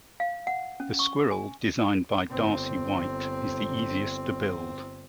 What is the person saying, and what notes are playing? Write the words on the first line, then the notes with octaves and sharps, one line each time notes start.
The Squirrel, designed by Darcy Whyte is the easiest to build.
F5
F#5
C#4
C#6
G#5
G1 C4